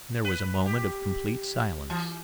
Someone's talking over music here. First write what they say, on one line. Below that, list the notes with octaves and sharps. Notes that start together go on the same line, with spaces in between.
Then there was a moment of complete silence.
B4
G4
E3